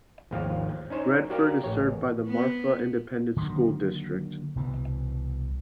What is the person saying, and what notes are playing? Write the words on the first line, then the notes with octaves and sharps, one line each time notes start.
Redford is served by the Marfa Independent School District.
G#1 D#2 F3 F5
C#4 D#4 C5 C#5
F#4 G4 A#4 D5 F5
A1 C#5
B3
D3 D#3 F#3 A#3
C2 B2 E3